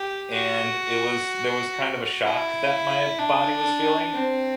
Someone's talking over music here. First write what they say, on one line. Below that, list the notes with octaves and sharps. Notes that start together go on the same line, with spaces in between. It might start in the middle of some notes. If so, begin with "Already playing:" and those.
and it was, there was kind of a shock that my body was feeling.
Already playing: G4
F#4
E4
D4
C4